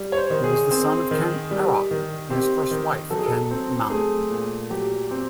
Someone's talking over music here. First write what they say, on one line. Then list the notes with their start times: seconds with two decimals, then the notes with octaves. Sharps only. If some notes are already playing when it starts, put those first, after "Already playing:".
He was the son of Ken Arok and his first wife, Ken Umang.
Already playing: G3
0.12 C#5
0.17 C5
0.30 D#3
0.44 G#4
0.71 C4
1.11 D#3
1.51 G3
1.91 D#3
2.30 C4 G4
2.71 D#3
3.10 F#3 A4
3.18 G#4
3.26 A4
3.51 C4
3.90 A3 G#4
4.30 A#2
4.70 F#3 G4
5.11 C4